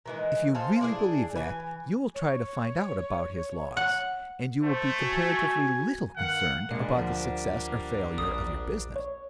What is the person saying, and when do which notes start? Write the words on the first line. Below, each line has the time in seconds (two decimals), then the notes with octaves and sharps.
If you really believe that, you will try to find out about his laws, and you will be comparatively little concerned about the success or failure of your business.
0.06 D#3 E3 G#3
0.55 G#4 A4 C5 F5
0.81 D4 E4 G#4
1.36 E3 G#5
2.15 C#5
3.77 F#5
4.64 A3 C5
5.00 F#4 G#5
6.17 G2 D#3 F5 F#5 F#6
6.71 A#2 G3 G#3 A#3 D4 F5
6.96 D2 F3 F#5
8.18 A#1 D#6
8.96 C#5